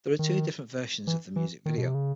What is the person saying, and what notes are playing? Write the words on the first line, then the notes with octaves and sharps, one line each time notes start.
There are two different versions of the music video.
D#3
E3
E3
D#3
B2
C3
C#3